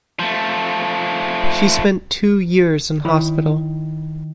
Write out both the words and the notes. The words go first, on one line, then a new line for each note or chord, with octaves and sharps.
She spent two years in hospital.
F3 A3
D#3 E4 C#5 B5